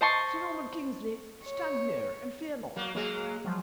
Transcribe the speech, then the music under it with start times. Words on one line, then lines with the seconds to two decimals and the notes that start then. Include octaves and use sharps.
Sir Norman Kingsley, stand near, and fear not.
0.01 C5 D#5 A5 C6 C#6
1.45 C#5
2.76 F#3 A#3
2.95 F#3 G#3 A#3 G#4
3.44 F3 F#3 G#3